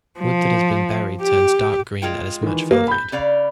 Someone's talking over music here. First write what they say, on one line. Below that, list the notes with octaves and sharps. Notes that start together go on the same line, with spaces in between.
Wood that has been buried turns dark green and is much valued.
F3
G4
G#3 F4 G5
D#3 E3
A#3
B5 G6
C#3 D5 F5